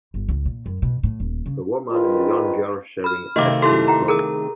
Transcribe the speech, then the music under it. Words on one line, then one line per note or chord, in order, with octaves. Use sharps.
A woman and a young girl sharing ice cream cones.
G1
C#2
A#2
F#2
B2
A2
D#1
C#3
A#1 D#3 F4 B4
B5 F6
C3 D#3 A3 F#4 D#5 F5 D6
E4 G4 A4 C6
G5 A#5
G#4 A#4 A#5 D#6